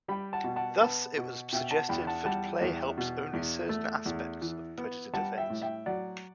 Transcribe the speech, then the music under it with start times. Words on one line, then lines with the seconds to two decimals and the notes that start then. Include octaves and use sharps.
Thus, it was suggested that play helps develop only certain aspects of predator defence.
0.08 G3 G5 B5
0.33 F#5 A5
0.44 B2
0.56 F#5 A5
0.80 B3 F#5 A5
1.17 B2
1.53 B2 E5 G5
1.71 F#5 A5
1.89 E2 G5 B5
2.07 F#5 A5
2.25 G3 F#5 A5
2.61 E2
2.98 B2
3.33 E2
3.69 A3
4.06 E2
4.42 E3
4.78 B3
5.13 G3 F#5 A5
5.38 E5 G5
5.50 A2
5.62 E5 G5
5.86 F#3 D5 F#5